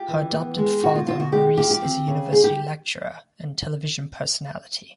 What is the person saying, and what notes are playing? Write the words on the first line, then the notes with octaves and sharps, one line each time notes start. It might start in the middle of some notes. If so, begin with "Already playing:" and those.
Her adoptive father, Maurice, is a university lecturer and television personality.
Already playing: F4 G4
E3
B3
G#3
B2 F#4
F4
B2 F4
F#4
G#3 G4
F3 G4
G4
C4
C#3
G3 G#4
G4